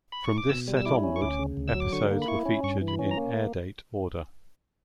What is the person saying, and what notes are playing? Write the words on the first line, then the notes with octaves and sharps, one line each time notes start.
From this set onward, episodes were featured in airdate order.
B5
C#6
D6
B2 E6
G3
E6
E4 D6
C#4
C#6
D2 D6
C#3
D2
E6
F#3
D6
D3 C#6
A#3
B5
E4 C#6
C#4
G2 C#6
E3
B5
C#4
A#5
A#3